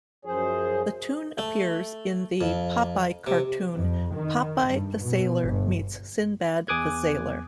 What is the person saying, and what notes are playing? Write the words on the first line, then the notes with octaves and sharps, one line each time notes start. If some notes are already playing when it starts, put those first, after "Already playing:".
The tune appears in the "Popeye" cartoon "Popeye the Sailor Meets Sindbad the Sailor".
F#2 F3 G#4 C5
A3
F2
C3
F2
D#3
G2
B2
G1
E2 G#5 D6 D#6 F#6 G#6